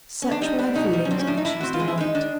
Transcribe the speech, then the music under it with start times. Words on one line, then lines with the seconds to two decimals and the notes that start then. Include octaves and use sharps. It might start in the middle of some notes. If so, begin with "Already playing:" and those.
Such were her feelings on the Tuesday night.
0.22 C#4
0.31 D4
0.41 G3 D#4
0.59 B3 D4
0.75 B2 D#4
0.93 G3
1.05 C#4
1.11 C4 D4
1.19 C#4
1.27 A2 D4
1.37 D#4
1.45 A2 E4
1.60 C4 F#4
1.74 F4
1.80 G#3
1.88 E4
1.97 G#3 D#4
2.15 D#3 D4